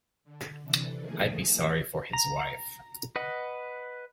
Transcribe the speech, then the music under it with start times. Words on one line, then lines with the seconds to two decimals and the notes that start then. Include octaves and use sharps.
I'd be sorry for his wife.
0.24 D3
0.63 C3 E3 D4 A4
0.99 D#3 F3 A3 A#3 G#4
2.13 A#5
3.16 B4 D#5 F#5